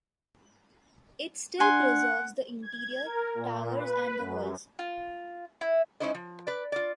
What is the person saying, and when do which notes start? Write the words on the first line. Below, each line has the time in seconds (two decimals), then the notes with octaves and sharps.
It still preserves the interior, towers and the walls.
1.60 D4 F#5 G#5 C6
2.62 G#6
3.04 A#4
3.35 A#2
3.74 B4
4.18 F#2
4.79 F4
5.61 E4
6.00 G#3 C#4 D#4 E4 C5 D#5
6.14 F3
6.47 B4 D5
6.72 F4 D5